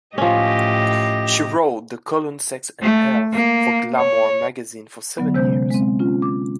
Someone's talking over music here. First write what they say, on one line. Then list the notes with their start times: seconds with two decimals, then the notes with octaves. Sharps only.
She wrote the column "Sex and Health" for "Glamour" magazine for seven years.
0.18 A2 F3 C#4 G4 D#5
2.82 A3
3.33 A#3
3.96 C#5
5.18 D3 F#3 B3
5.34 C3 G#3 C#4 C5 G6
5.71 G#3 C4
6.00 C#4 F4
6.22 D6